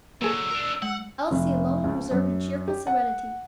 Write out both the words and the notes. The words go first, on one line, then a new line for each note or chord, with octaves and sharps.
Elsie alone preserved a cheerful serenity.
D3 F#3 A#3 G#4 A4 E6
D4 A#4
G#3 F#5
F1
C#2
F#2
G4
F#5